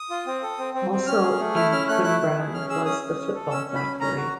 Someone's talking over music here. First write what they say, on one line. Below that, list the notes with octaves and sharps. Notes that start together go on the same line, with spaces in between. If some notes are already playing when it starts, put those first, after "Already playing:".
Also in Cwmbran was The Football Factory.
Already playing: D#6
F4
C4
A4
C4
C4
C4
C#4 F6
G#4
A3
E4 F6
C#4 F6
A3 F#6
E4 F#6
E4
G#4
C#4 F6
G#4 E6
C#4 D#6
C#4
C#4
A4
C#4 E6
C#4
B5
C#4
C#4 A#5
F#4